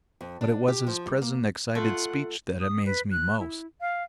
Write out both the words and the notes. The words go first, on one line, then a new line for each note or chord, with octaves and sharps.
But it was his present excited speech that amazed me most.
F2
D4
G4
F3
G3
A#3
A3 F4 F#5
D#6
B4
F#6
E4
F5